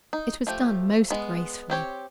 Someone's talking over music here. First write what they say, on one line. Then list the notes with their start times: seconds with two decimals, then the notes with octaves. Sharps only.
It was done most gracefully.
0.13 D#4
0.47 F3 A3 G4
1.10 G#3 B3
1.70 C4 G4 C#5